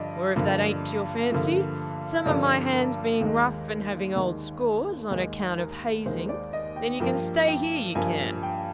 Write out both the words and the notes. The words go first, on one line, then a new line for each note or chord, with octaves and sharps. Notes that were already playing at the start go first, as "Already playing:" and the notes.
Or if that ain't to your fancy, some of my hands being rough and having old scores on account of hazing, then you can stay here, you can.
Already playing: G2 D3 F3 D5 D#5
G2 D3 F3 A#3
G2 D3 F3 A#3
G2 D3 F3 A#3 D5
A#4
D#2 D#3 G#3
D#2 D#3 G#3
D#2 D#3 G#3 G#4
A#4
D#2 D#3 G#3 C5
D5
D#5
G5
G2 F3 A#3 G5
G5
G2 F3 A#3 G#5
G5